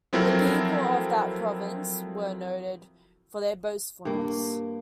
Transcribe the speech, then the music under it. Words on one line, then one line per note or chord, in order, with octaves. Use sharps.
The people of that province were noted for their boastfulness.
F3 F#3 C4 E4 A4 A#4
G2 A#3